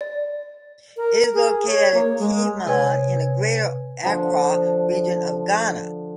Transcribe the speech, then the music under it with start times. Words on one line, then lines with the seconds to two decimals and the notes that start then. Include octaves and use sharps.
It is located at Tema in the Greater Accra Region of Ghana.
0.01 D5
0.97 A#4
1.34 G#4
1.67 C#5
1.94 A#3
2.19 G#3
2.67 C3 B4 C#5 G#5 G#6
4.04 D3 F3